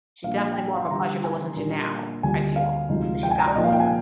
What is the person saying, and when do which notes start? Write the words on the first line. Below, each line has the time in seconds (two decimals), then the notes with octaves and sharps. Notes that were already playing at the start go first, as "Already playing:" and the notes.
She's definitely more of a pleasure to listen to now, I feel, as she's gotten older.
0.24 A#2 F3 A#3 D4 F4 F5
0.52 G5
0.57 G#5
0.73 F5
0.82 C6
0.90 D3 G3 D4 F4 A#5
1.24 G#5
1.56 A#2 G3 A#3 D4 F4
2.23 D2 D3 G3 D4 F4 G#5
2.56 F5
2.89 D2 C3 F3 G#3 D#4
3.23 G5
3.31 G#5
3.39 A#5
3.47 D5
3.55 A#2 F3 A#3 D#4 D#5
3.64 F5
3.72 G5
3.80 G#5